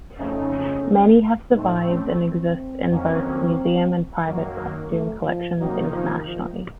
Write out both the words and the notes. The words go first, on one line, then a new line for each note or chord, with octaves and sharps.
Many have survived and exist in both museum and private costume collections internationally.
F2 C#3 A3 C#4 D#4
A2 A3 C4 D#4
C#4
C4
F2 D#3 F#3 A#3 C#4
F#2 D#3 F#3 A#3
A3
F3
C3 D#3 F#3 A#3 D#4
F3
F3